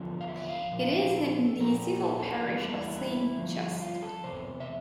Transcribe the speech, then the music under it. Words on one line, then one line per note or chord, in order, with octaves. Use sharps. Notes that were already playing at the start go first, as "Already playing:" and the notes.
It is in the civil parish of Saint Just.
Already playing: E2 D3 F3
F5
E5
F5
A#2 F3
F5
E5
F5
A4
A4
A#2 F3 A#4
A4
A4
F4
E2 E3 G3 A3
A#3
D4
E4
G2 D3 F3
F4
A4
E2 C3 C5
E5